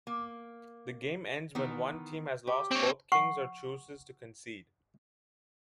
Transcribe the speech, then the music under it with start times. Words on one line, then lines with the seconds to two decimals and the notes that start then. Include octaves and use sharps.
The game ends when one team has lost both kings or chooses to concede.
0.07 A#3
1.55 D#3 E3 B3
2.47 G4
2.71 C4 C#5
3.12 F#5 C#6